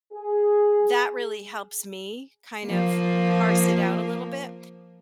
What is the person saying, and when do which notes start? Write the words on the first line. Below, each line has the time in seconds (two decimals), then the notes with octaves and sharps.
that really helps me kind of parse it out a little bit,
0.12 G#4
2.67 F3 A#3